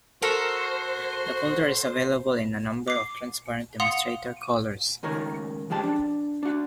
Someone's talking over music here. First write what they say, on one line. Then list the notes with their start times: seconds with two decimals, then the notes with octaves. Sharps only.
The Kultur is available in a number of transparent demonstrator colors.
0.22 F#4 A4 A#4 C5
2.88 D6 C7
3.80 F5 F#5 C6 D#6 C#7 F7
5.03 C#2 D#3 A#4 C#5
5.70 F3 G#3 G4 A5
5.84 D4
6.43 D4 F#4